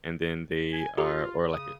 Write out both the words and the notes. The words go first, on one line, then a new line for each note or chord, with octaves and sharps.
and then they are or like a
G#5
F4 G4 A4 A#5
C#3 D#6